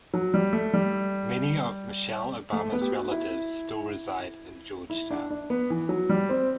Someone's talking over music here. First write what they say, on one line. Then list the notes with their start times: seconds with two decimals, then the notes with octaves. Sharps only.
Many of Michelle Obama's relatives still reside in Georgtown.
0.14 F#3
0.34 G3
0.53 A3
0.73 G3
2.53 A3
2.72 B3
2.82 G4
2.92 F#4
3.11 E4
4.90 E4
5.10 D4
5.30 D4
5.50 B3
5.70 E3
5.89 F#3
6.09 G3
6.29 C4